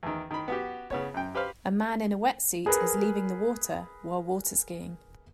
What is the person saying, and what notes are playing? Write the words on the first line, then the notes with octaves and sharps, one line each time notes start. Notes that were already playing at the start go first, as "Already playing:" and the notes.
A man in a wetsuit is leaving the water while waterskiing.
E2 D#3
D#3 B5
B3 F#4 G4
C#3 B3 C#5
F#2 G5
G4 B4 C5 F5
G#4 A#4 B4